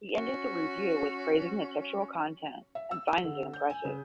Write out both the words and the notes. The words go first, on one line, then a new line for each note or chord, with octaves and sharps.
He ended the review with praising the textual content and finds it impressive.
C#4 F#4
E5
E6
E6
D3
G6
G#5
C#3